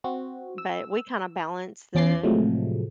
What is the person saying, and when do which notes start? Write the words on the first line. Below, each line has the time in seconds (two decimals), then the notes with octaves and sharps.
but we kinda balance the
0.04 C4 F#4
0.58 E6
1.95 E2 C#4 D6 A6 C7
2.23 A2 C3 F3 F#3 G#3 A3